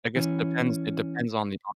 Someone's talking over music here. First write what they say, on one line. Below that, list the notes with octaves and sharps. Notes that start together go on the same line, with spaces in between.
I guess it depends it depends on the, uh
E3 C#4